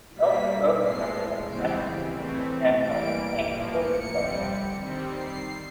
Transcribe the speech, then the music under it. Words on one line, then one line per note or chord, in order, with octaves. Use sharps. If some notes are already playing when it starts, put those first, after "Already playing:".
He also wrote a number of domestically and internationally acclaimed children's books.
B2 G3 A#3 B6
A2 F3 G#3 C7
C#3 E3 G3 C4 D7
A2 E3 A3 C4
E3 G3 A#3 D7
A2 F3 A#3
C#7
D3 G3 C4
D#3 G3 C4
C7